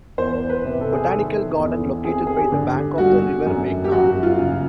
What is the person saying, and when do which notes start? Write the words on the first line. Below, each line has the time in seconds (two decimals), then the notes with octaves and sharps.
Botanical Garden located by the bank of the river Meghna.
0.18 E2 C5
0.49 B4
0.64 C3
0.81 A4
0.92 G#4
1.04 A4
1.11 D#3
1.58 E2
2.05 C4 G#4
2.27 G#4
2.37 G4
2.52 D3
2.98 G3 F#4
3.46 F#2
3.84 G4
3.92 F#2 F#4
4.23 F4
4.39 C#3